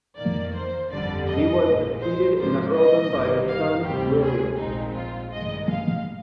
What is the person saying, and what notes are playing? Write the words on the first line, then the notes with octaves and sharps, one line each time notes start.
He was succeeded in the earldom by his son, William.
F2 D#3 A#3 D5
C5
G1 F2 D3 G3 D5
D#5
A#1 A#2 G#3
C5
G#2 F3 A#3 C5
D#5
G1 G2 D#3 G3 A#3
F5
D2 C3 G3 C4 G4
G#4
A#1 A#2 G#3 C4 D#4
F4
G2 D#3 G#3 D#5
F5